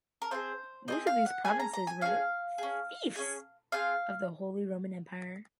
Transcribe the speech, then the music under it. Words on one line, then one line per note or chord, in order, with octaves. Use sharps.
Most of these provinces were fiefs of the Holy Roman Empire.
A#4
C4 F4 G#4 C5
C4 F4 G#4 D#5
F5
F#5
C#4 G#4 G#5
A#5
A#5
G#5
C#4 G#4 F5
C#4 G#4
C#4 G#4
C4 F4 G#4 F5